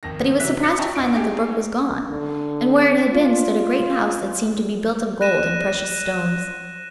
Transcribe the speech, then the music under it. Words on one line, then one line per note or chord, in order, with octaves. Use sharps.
But he was surprised to find that the brook was gone, and where it had been stood a great house that seemed to be built of gold and precious stones.
G#1 F2 D#3 A#6
C3 E3 F#3 E5 F#6 B6
F6 F#6 A6 A#6 C#7
D#5 E5 G5 A5 A#5 C#6
A1 D4 D#5 D7
A3 D#4 G4 G#4
D3
F4
F#6 A#6 D#7 E7